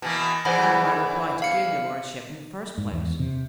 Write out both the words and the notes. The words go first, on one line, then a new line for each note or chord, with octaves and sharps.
"I have my reply to give your lordship, in the first place."
B2 E3 A#3
E2 E3 C5 F#5 B5
F5 C#7
G#2
E2
C3